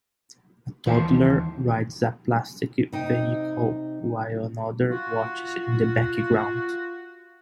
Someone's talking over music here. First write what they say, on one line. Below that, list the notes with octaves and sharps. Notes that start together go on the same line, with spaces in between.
A toddler rides a plastic vehicle while another watches in the background.
D#2 E3 C5 E5 A5 C6
C3 D#4 D#5 G5
F4 F#4